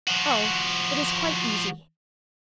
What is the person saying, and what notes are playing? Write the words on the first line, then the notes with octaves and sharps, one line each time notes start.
'Oh, it is quite easy.
F3 F#4